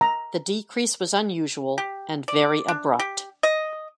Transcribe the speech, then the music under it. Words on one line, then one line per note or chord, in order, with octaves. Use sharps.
The decrease was unusual and very abrupt.
A#5
G4
D5
D4
G4
D#5